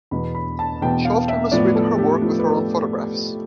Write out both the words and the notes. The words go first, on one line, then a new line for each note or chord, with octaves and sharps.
She often illustrated her work with her own photographs.
E2 B2 B3 B5
B5
A5
E2 B2 B3 G5
F5
E5
A2 F3 B3 D5
A4
G4
A2 F3 B3
B4
A4
A4